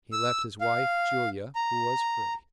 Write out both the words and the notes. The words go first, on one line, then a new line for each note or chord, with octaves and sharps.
He left his wife, Julia, who was free.
E6
F5
A#5